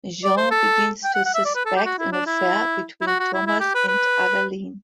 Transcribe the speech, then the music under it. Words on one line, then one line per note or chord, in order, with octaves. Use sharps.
Jean begins to suspect an affair between Thomas and Adaline.
D5
C5
A4
G5
F#5
F#5
E5
D5
B4
A4
G4
F#4
E4
D4
E4
E4
F#4
F#4
E4
E4
G4
B4
B4